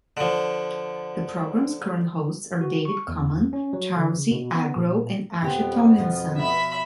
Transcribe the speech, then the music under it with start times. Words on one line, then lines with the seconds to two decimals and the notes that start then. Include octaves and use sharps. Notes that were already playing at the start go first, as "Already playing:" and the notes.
The program's current hosts are David Common, Charlsie Agro and Asha Tomlinson.
0.17 D3 F3
2.61 F#4
2.85 C#6
3.08 E2
3.53 C#4
3.73 F#3
3.96 D3
4.16 C#3
4.31 B2
4.55 B3
4.76 A#2
5.42 F2 B2 B3 G4 C5
5.98 B2 F3 F4
6.37 E5 B5